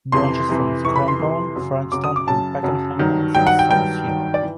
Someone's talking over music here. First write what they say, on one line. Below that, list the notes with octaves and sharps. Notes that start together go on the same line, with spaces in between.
Branches from the Cranbourne, Frankston and Pakenham lines at "South Yarra".
F2 C3 E3 C6
F2 C3 E3
F2 C3 E3 C#6
B5
C6
F2 C3 E3
F#2 C#3 F#3
F#2 C#3 F#3 D6
D#6
D6
F#2 C#3 F#3 A5
F#2 C#3 F#3
G2 D#3 F#3
G2 D#3 F#3 G5
F#5
G5
G2 D#3 F#3 G5
G2 D#3 F#3
D5
E3